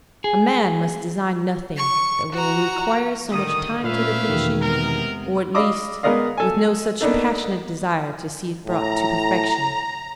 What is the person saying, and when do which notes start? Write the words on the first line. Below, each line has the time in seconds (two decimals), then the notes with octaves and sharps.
A man must design nothing that will require so much time to the finishing, or, at least, with no such passionate desire to see it brought to perfection.
0.24 G#4
1.77 C#6
2.33 F#4 A#5
3.31 A2 D3 D#3 D#6
3.84 A#2 A3 A#3 C#4 B4 E5 F5
4.28 E2 B2 D#3
4.61 C3 G#3 B3 A#4
5.54 D5 D#5 F5 B5 D6 E6
6.03 G#3 B3 A#4 D5 D#5 F5
6.37 A4 G#5
7.01 A#3 B3 D4 D#4 A4
8.67 A2 A#5